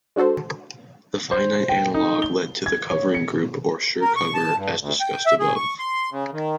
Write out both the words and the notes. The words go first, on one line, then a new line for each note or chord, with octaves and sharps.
The finite analog led to the covering group or Schur cover, as discussed above.
G#3 D4 F#4 A4 C5
C5
G5
D#4
G7
G#6
C#5
C#7
A#4
C#6
A5
G2
D2
G5
E5
G#4
C#6
C6
C#3
D#3